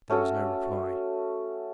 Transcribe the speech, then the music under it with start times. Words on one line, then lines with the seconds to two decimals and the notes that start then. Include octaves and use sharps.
There was no reply.
0.10 A3 C#4 F#4 A4